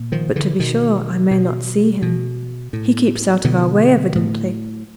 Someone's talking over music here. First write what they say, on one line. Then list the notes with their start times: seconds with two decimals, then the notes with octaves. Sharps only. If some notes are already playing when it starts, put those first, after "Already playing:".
But, to be sure, I may not see him; he keeps out of our way evidently.
Already playing: A#2
0.12 D#3 F3
0.36 D3 E3
0.59 B2 D#3
1.31 B2
2.02 B2
2.73 A2
3.44 B2 D3 E3
4.15 A2